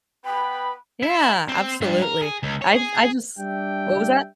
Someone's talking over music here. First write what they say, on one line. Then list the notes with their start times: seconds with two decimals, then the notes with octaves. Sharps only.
Yeah. Absolutely. I th I just What was that?
0.25 B3 B4 G5 B5
1.03 E4
1.49 C4
1.81 G2
2.02 A#4
2.22 G#4
2.43 C#2
2.62 C#5
2.74 G#4
3.38 G3 D4 G4 E5 G5